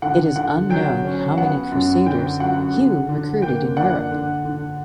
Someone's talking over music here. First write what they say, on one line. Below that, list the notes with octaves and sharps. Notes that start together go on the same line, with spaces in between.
It is unknown how many crusaders Hugh recruited in Europe.
D3 F#5
D3 F#5
F#3 G5
C#4
B3 F#5
F#2
D3 G5
F#3 F#5
D3
D3
A#3 G5
D4 F#5
D3
D3